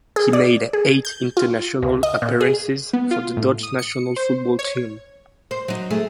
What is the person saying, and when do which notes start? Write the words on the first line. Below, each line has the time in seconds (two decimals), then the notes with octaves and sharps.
He made eight international appearances for the Dutch national football team.
0.16 G#4
0.33 D5
0.73 G#4
1.05 G6
1.37 F4
1.82 C#2
2.03 D#5
2.22 A#2
2.41 G#4
2.93 B3
3.11 F4
3.37 A2
3.63 D#6
3.79 C#7
4.16 C5
4.59 C#5
5.51 C5
5.68 F#3 D#4
5.90 A3 G#4